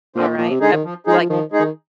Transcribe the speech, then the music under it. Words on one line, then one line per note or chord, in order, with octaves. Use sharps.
All right. Uh like,
A#2 D3 F3 C4
A#2 F3
C3
D3 G#3 D#4 G#4
D#3
F3
F3 G#3 D#4 G#4
D#3 F3
G#3 D#4 G#4
D#3